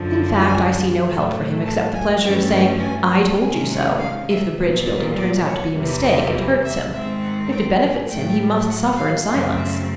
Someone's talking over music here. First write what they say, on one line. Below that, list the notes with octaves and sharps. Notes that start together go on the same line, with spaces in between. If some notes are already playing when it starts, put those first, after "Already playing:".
In fact, I see no help for him except the pleasure of saying 'I told you so' if the bridge-building turns out to be a mistake and hurts him; if it benefits him he must suffer in silence.
Already playing: F#2 D3 F3
G#5
A2 F#3 A3
A5
G#5
G2 E3 A3 C#4 G5
G5
G#5
A5
C3 D#3 G#3 C#4 G#5
F#5
F5
E5
A#2 G3 B3
D#5
D5
C#5
E2 C3 E3 G3
D#5
E5
G#2 D#3 G#3 C4 E5
F#5
G5
G#5
A2 F#3 A3 G5
F#5
F5
F#2 C#3 F#3 A3 C4 F5
E5